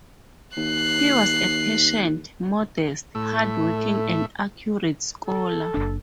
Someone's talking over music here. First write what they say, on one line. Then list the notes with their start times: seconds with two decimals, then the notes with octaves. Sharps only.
He was a patient, modest, hard-working and accurate scholar.
0.57 D#2 F#6 C7
3.15 A2 A3 A4 E5
5.26 A4
5.74 F#1 D4